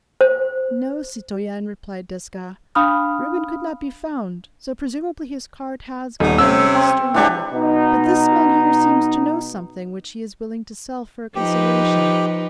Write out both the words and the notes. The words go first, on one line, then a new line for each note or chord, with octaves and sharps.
"No, citoyen," replied Desgas, "Reuben could not be found, so presumably his cart has gone with the stranger; but this man here seems to know something, which he is willing to sell for a consideration."
C5
D4 F5 B5 D#6 F6
D#1 D#4
C3 C#4 E6
C4 C#6
E3 F#3 G#3 D4 G4
B2 D#4
F3 D#4 G4 B4